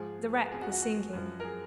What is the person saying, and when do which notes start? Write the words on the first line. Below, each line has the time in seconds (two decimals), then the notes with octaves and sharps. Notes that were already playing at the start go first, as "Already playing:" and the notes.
The wreck was sinking.
Already playing: G#2 F3 G#4
0.52 F2 F3 G#4
0.61 F#4
0.72 F#4
0.82 F#4
1.13 F#2 F3
1.40 A#4
1.45 G#4